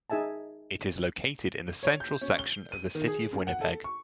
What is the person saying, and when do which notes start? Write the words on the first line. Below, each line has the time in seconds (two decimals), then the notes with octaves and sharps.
It is located in the central section of the City of Winnipeg.
0.10 D#4 G#4 E5 G#5 A5
1.83 C#5
2.00 G6
2.21 C#4
2.39 G7
2.72 D#7
2.95 D#3
3.07 G#4
3.33 F#2
3.47 F#5
3.61 A4
3.84 C#6